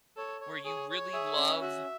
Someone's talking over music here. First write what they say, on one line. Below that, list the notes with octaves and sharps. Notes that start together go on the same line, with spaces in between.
where you really love
A4 C#5
C#5
G#4 C#5
C#5
G#4 E5
C#4
F#4 E5